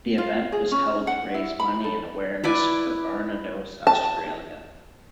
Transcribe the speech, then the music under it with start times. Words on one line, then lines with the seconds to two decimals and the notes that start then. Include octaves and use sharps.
The event was held to raise money and awareness for Barnardos Australia.
0.18 F4
0.52 G#4
0.72 C#4
1.07 F#5
1.34 E4
1.60 B5
1.84 A4
2.44 E4 B4 D5 G#5
3.87 A5